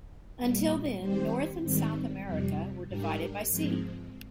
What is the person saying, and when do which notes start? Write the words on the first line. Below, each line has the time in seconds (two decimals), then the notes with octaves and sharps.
Until then North and South America were divided by sea.
0.38 A#2 G3 A#3
1.00 D#3 G3 C4 G4 C5
1.63 G#2 D#3 G3 C4
2.25 F2 C3 G3
2.87 G#2 G3 D4 G4 A#4
3.49 G#2 F3 G#3 C4